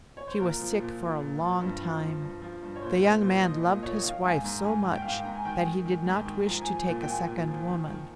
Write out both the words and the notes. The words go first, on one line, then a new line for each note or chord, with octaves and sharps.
She was sick for a long time. The young man loved his wife so much that he did not wish to take a second woman.
C#5
C5
A#2 A#4
F3
A#2
F3
A#2
F3
G2
F3
F3
G2
F3
G2
C#5
A#2 C5
A#2 C5
A#2 C5
F3 D#5
A#2
D#5
A#2 C#5
D#5
D#3 F5
G#2 G#5
G#2 A#5
G#2 G#5
D#3
G5
F5
G#2 G5
G#2 A#5
G#5
D#3 G5
G#5
D#3
D#3
G#2
D#3
F3 A#5
G#5
F3
G#5
A#2
G5
A#2 G#5
A#2
F3
D#3
D#3